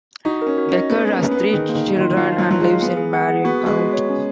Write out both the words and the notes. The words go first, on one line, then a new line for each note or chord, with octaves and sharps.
Decker has three children and lives in Marin County.
D#4 F#4
C#4 A#4
F#4
C#4 D#5
B3 G#4
C#4
A#3
B4
B3
B4
D#3 G#4
A#3
D#3
A#3
D#3 F4
F3 F5
F4
F#3
F#3 F4
G#3 F5
B3 G#4
G#4
F#5
G#4
B3 F#4
G#3 F#4
F#4
C#5
C#4